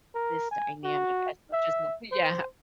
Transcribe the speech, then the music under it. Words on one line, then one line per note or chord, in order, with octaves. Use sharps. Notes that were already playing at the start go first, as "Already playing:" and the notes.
this dynamic as much as I" Yeah.
A#4
G#5
F#4
E5
C5